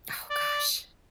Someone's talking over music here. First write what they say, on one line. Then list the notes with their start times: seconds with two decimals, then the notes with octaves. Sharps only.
Oh gosh.
0.31 D5